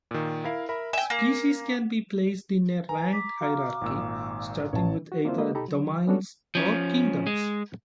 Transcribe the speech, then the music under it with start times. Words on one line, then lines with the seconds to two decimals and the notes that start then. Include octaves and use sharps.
Species can be placed in a ranked hierarchy, starting with either "domains" or "kingdoms".
0.11 A#2 D#3
0.44 E4 A#4 F5
0.69 A#4 E5 B5
0.93 E5 G5 G#5
1.10 A#3
2.89 B4 G#5 A#5
3.13 D6 B6
3.41 F#4 F5 A#5 F6
3.81 G#1 A#2 E6
4.73 A1 C#5 A5
5.12 F#4
5.25 A#3 C4 D4 E4 F4 C5
5.38 G#3 A#3 F#4 B4 D#5
5.55 D#4 G4 A4 A#5 B5
5.68 F#3
6.07 B3 C#4 D4 F#4 A4 C#5
6.55 F3 C#4
7.26 G#3